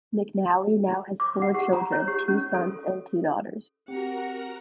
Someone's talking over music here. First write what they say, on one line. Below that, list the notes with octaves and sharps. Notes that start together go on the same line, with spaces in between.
McNally now has four children, two sons and two daughters.
D6
F#5
G4
A#5
C#5
G4
C#4
A4
C4 F#4 G4 A#4 F#5 A#5